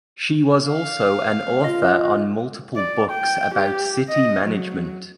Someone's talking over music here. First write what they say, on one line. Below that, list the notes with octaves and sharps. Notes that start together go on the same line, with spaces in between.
She was also an author on multiple books about city management.
F5
F4 D#5
D5
G5
G4
D#5
F#3